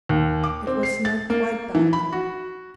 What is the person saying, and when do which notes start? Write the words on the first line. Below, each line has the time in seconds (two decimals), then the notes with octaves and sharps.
It was not quite dark yet.
0.09 D#2
0.44 D6
0.67 C4
0.83 C7
1.05 A6
1.30 A#3
1.75 E3
1.93 B5
2.12 F#4